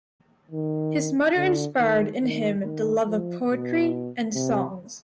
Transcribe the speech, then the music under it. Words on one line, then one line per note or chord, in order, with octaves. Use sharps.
His mother inspired in him the love of poetry and songs.
D#3
D3
D#3
D#3
D#3
F3
B2
C3